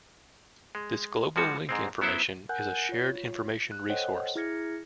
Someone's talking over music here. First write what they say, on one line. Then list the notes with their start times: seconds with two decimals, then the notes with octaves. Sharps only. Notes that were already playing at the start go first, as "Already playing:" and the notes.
This global link information is a shared information resource.
0.75 G#3
1.36 F3 G3 G#3 F#4
1.69 G#2 G#3 C4
2.01 F#3 B3 C#4 E4 C5 E5
2.49 A#4 F#5 G#5 F#6 G6
2.89 F4 C#5
3.72 F#6
3.90 A4 C5 C#5 D#5 F#5 G5
4.35 E4 G#4 F6 G#6 A#6 C#7